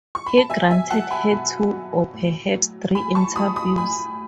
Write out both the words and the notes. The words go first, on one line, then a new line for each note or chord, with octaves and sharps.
He granted her two or, perhaps, three interviews.
C#6
B5
A5
B2 E5 G#5
E5 G#5
F#3 F#5 A5
G#5 B5
B2
F#3
A2
F#3
A2 G#5 B5
A5 C#6
F#3 B5 D#6
B5 D#6
A2 G#5 B5